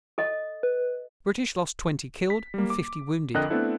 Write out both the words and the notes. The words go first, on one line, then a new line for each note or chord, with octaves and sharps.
The British lost twenty killed and fifty wounded.
A4 D#5
B4
B6
G3 A#3
D6
F2 D3 A#4 D#5 G5 F#6
A3 B3 C4 D4 E4 A4